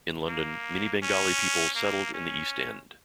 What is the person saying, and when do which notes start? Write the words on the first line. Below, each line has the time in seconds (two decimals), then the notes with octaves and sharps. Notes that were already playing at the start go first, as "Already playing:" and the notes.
In London, many Bengali people settled in the East End.
0.28 A#3
1.03 C#4
1.76 A#3
2.14 C#4